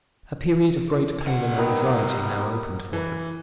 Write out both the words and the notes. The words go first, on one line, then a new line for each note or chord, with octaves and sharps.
A period of great pain and anxiety now opened for him.
G3 F#5
D#3 B3 D#5
E3